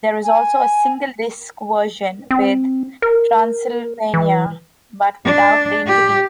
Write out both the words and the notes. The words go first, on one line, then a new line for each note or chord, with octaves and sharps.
There is also a single-disc version with "Transylvania", but without the interview.
G#5
C4
A#4
E3
D4
G4